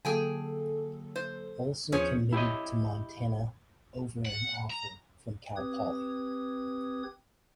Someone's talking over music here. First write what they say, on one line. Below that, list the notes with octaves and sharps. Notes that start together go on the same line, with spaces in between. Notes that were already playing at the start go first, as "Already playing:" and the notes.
Olson committed to Montana over an offer from Cal Poly.
D3 F#3 A#3 G#4 A4 G5 G#5
C5
D#2 F3 B3 C#4 G#4 C5 C#5
E4 G4 C#5 D#5
F#5
A#5
C4 G4 B4 D#6 G#6